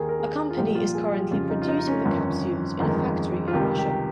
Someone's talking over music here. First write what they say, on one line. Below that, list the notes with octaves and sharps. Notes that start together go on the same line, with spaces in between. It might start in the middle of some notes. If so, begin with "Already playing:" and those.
A company is currently producing the capsules in a factory in Russia.
Already playing: D#2 D#3 A#3 G#4
A#4
G#4
F4
C2 A#2 F3 G4
F4
G#4
G4
F2 C#3 G3 F4
D#4
F4
D#4
D#4
C#4
G1 F2 D#3
G1 F2 D#3 G#3
F4
C#2 C3 D#3 G3 G4
G4